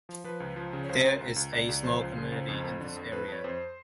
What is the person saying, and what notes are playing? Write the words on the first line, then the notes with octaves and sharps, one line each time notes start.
There is a small community in this area.
F3
F3 B4
C#2
F3
C#3
C#5
C#2 C5
C#2
C#2
C#2
C#2 D5
C#2
F3 C5
C#2
C#3
C#2
F2
F2
D3
F2
F2 B4
F2 C#5
F2 C5